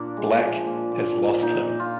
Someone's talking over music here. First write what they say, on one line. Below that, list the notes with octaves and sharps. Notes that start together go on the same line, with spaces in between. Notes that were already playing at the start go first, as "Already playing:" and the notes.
Black has lost Him.
Already playing: A#2 A#3 D4
G#3
F3
A#2
A#2
A#2
A#2 D#4
A#2
F4